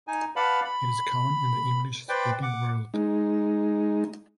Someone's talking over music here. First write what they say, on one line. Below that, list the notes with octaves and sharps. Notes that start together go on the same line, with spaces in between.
It is common in the English-speaking world.
D#4 G#5
B4 D5 F5 F#5 A5 B5
B5
B4 C5 D5 G5
F#5 D6
G#3 D#4